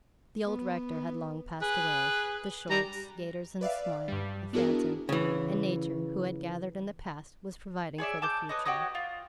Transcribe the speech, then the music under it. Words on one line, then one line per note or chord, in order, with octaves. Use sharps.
The old rector had long passed away; the shorts, gaiters, and smile--a phantom; and nature, who had gathered in the past, was providing for the future.
B3
G#4 B4
G3 A#5
B4 D5 E5 F5
G2 G3
B3 D4 E4 F#4 G#4 A#4
C#3 E3
G#4 C#5 D5 E5
A5 D6 G6
B4 C#5 D#5
F#4 G4 C#5 D#5
F4